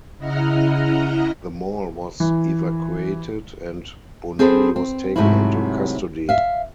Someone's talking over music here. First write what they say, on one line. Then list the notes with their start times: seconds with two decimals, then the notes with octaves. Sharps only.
The mall was evacuated and Bonelli was taken into custody.
0.18 C#3 E4 D#5 F#5 A#5 F6
2.20 E3
4.39 C4 G#4 A4 B4 C5
4.76 C4
5.16 G#2 C3 F#3 A3 C4 E4
6.29 E5 F5